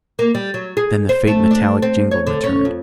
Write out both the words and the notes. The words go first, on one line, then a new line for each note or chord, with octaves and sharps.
Then the faint metallic jingle returned.
A#3
G3
F#3
G#4
C5
A3
D4
C4
C#5
D3
C#4
F2